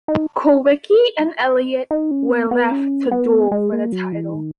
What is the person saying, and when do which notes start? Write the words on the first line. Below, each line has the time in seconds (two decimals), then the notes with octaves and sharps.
Kulwicki and Elliott were left to duel for the title.
0.08 D#4
1.91 D#4
2.11 C#4
2.30 B3
2.51 B3
2.71 C#4
3.11 B3
3.51 G#3
3.72 A#3
3.92 F#3
4.12 E3
4.33 D#3